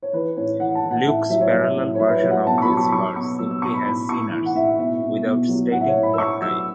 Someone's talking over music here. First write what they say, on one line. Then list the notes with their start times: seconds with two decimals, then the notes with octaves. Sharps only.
Luke's parallel version of this verse simply has sinners, without stating what type.
0.02 C#5
0.13 E3 B4
0.37 A2 C#5
0.60 E3 F#5
0.75 A5
0.84 E3
0.91 F#5
1.07 A2 E5
1.30 F#3 E5
1.41 C#5
1.53 F#3 E5
1.76 A2
1.95 C#5
1.99 F#3 E5
2.07 B4
2.15 C#5
2.23 F#3
2.30 F#5
2.46 B2 A5
2.58 C#6
2.62 B5
2.69 F#3
2.77 C#6
2.89 B5
2.92 F#3 C#6
3.16 B2 C#6
3.39 F#3 E6
3.51 E6
3.62 B2 C#6
3.74 B5
3.86 A2 B5
4.09 A2 C#6
4.32 E3
4.46 F#5
4.55 A2 E5
4.78 B2 E5
5.02 B2
5.25 B2
5.49 F#3
5.72 A2 F#5
5.81 E5
5.88 C#5
5.95 A2
6.03 B5
6.13 E6
6.18 A2 C#6
6.41 F#3 E6
6.56 E6